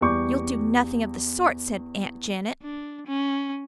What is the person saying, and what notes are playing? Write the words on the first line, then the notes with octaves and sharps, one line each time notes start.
"You'll do nothing of the sort," said Aunt Janet.
E2 G3 D5 C#6 D6 G6
D4
C#4